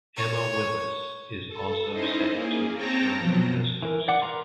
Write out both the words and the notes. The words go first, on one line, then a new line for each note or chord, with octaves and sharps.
Emma Willis is also set to return as host.
C#5
A4
C#4 D#4 E4 C5 D#5
A#3 G#4
C4 C#5 G5 A5 A#5 A#6
B2 F3 F#3
E3 A#4
D5 F#5 D6
A#4 B4 A#5 C6